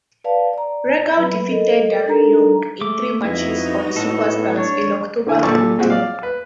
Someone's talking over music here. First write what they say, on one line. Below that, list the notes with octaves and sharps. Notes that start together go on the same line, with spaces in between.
Regal defeated Darren Young in three matches on "Superstars" in October and November.
B4 D5 F5 A5
D5 A#5
F#3 B4 B5
A4 A#4 D#5
D4 D#4 A4 A#4 A#5
A3 D6
F2 B3 D#4 E4 F#4
A2 A4
D4 C#5
D3 E4 G#5
A#2 A4 D5 C#6
A#2 G#3 C4 F#4
D5 F5
B4